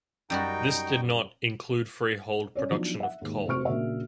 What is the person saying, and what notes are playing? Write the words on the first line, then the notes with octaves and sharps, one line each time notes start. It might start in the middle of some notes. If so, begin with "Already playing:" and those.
This did not "include freehold production of coal".
F#2 G3 D#4 F#4 G5
C#4 C#5 D5
F3 F#3 B3 D4 D#4
E5 F#5
D#2 G#2
F1 F#4 C5 C#6 F6 D7
A#1 C#3 A#3 F#4 E5